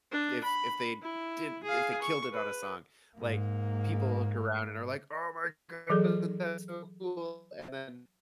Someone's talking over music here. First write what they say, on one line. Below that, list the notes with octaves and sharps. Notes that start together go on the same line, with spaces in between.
if if they did if they killed it on a song, like, people look around and are like, "Oh my god. That's so cool!" and then
D4
B5
E4
G#4 F5
C#6
B4
G#2 A#3
E3 F#3 G#4 A4